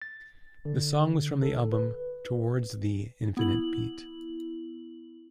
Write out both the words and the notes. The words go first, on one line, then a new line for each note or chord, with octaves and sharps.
The song was from the album "Towards Thee Infinite Beat".
A6
D3
A4
B4
B3 E4 F#7